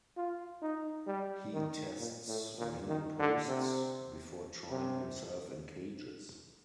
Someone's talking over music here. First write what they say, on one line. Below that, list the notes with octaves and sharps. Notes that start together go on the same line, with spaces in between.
He tests many posts, before trying himself in cages.
F4
D#4
G3
D#3
A#2
A2
A#2
D#3
D3
C3
C3